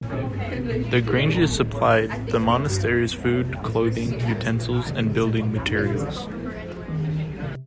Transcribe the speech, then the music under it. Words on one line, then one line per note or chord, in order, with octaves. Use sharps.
The granges supplied the monastery's food, clothing, utensils and building materials.
A2
A#2
A2
G2
F2
C3
A#2
A2
F2
G2
F2
A2
C3
A#2
A2
A#2
C3
D3
C3
A#2
F2
G2
A2
A#2
D3
F3
D#3
C3